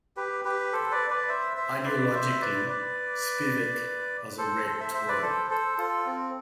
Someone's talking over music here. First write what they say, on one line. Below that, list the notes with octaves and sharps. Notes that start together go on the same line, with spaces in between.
Ideologically, Spivak was a Red Tory.
G4 B4
G4 B4
A4 C5
B4 D5
B4 D5
C5 E5
C5 E5
B4 D5
C5 E5
B4 D5
B4 D5
A4 C5
A4 C5
C5 E5
C5 E5
B4 D5
A4 C5
A4 C5
F4 A4
C4